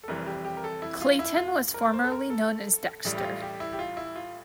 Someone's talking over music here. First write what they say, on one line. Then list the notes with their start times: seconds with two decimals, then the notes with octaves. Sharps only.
Clayton was formerly known as Dexter.
0.04 A4
0.08 F1 F2 E3 G3 A#4
0.27 G4
0.45 G4
0.57 A#4
0.64 A4
0.82 E4
1.01 F4
1.19 E4
1.37 F4
1.74 A#4
1.94 C5
2.04 A4
2.12 A#4
2.30 A4
3.05 A1 A2 G3
3.17 G4
3.23 F4
3.42 G4
3.60 E4
3.73 G4
3.79 F4
3.97 E4
4.16 F4